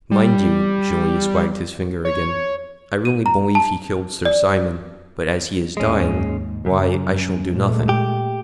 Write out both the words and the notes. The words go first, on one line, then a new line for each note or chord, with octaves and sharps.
Mind you"--Julius wagged his finger again--"I really believe he killed Sir Simon, but as he is dying, why, I shall do nothing.
G3
C#5
D#7
A#5
A5
D5
D#2 G#2 G#3 C#4
F#2 C#3
A#2 G#3 A3
G4